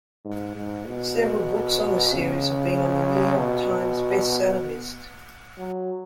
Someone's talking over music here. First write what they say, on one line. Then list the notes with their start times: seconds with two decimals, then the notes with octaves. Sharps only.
Several books on the series have been on the "New York Times" bestseller list.
0.25 G#2
0.56 G#2
0.87 B2
2.13 C#3
3.38 B2
5.58 F#3